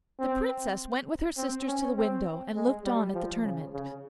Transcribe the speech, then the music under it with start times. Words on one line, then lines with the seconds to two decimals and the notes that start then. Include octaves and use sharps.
The Princess went with her sisters to the window and looked on at the tournament.
0.19 C4
1.37 C4
1.67 C#4
1.96 C4
2.55 G#3
2.85 G3
3.14 F3
3.44 C#3
3.73 C#3